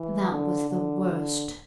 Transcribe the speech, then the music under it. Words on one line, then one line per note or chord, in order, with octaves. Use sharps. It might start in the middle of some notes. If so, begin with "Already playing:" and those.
That was the worst!
Already playing: E3
D3
D3
D3